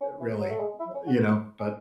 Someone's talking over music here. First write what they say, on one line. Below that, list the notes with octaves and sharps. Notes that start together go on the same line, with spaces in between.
really, uh, you know, but
C#4
E3
F#3
A3
G#3
E4
C#4
F#4
G#4